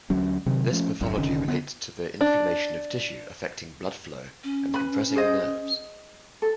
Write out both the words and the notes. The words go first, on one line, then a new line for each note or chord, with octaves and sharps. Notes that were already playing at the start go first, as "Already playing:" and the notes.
This pathology relates to the inflammation of tissue affecting blood flow and compressing nerves.
D2 F#3 C#4
C3 D#3 F#3
F3 A3 C#4
G#1 F#2
F1 D3 D#3 C#4
D3 B3
D4
C#4
B4 B5
G#4 C5 D#5
A4